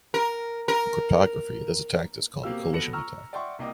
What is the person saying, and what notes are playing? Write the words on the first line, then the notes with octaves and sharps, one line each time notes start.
In cryptography, this attack is called a collision attack.
A#4
A#4
B2 A#3 C4 G4 F5 E6
F#3 B3 A4 A#6 C#7
A#5 C#6 E6 F6
D5 E5 F#5 G5 C6 C#6
C2 A#3 D#5 G5 D6 D#6